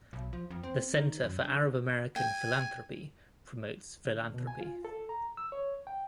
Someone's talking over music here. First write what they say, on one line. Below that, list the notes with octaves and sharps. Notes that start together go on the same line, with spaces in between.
The Center for Arab-American Philanthropy promotes philanthropy.
B1
F3
F2
C4
D#3
F#2
D3
G5 G#5
D3
B2
G#5
F4
A4
A#5
E6
C#5
G5